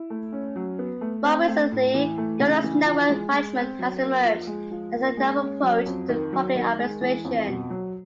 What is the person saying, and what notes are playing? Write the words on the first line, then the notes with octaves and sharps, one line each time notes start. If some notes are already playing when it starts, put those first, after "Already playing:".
More recently, Governance Network management has emerged as a novel approach to public administration.
Already playing: E4
A3
C#4
F#3
B3
A3
C4
A3
A2
E3
A3
C#3
E3
F3
G#3
G#3
C4
F#3
A#3
F3
G#3
F3
A#3
G#3
C#4
F#3
F2
D#3
F#3
D#3
G#3
E3
F2
B2
F#3